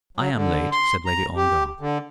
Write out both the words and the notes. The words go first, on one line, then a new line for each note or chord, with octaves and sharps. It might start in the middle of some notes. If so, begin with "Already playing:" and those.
"I am late," said Lady Ongar.
F#3
D3
C6
A#5
G4
D3